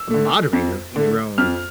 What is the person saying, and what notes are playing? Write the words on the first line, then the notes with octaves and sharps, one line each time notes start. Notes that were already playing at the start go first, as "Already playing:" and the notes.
a moderator in your own
Already playing: E6
D3 A3
F2
D3 A3
F2 F6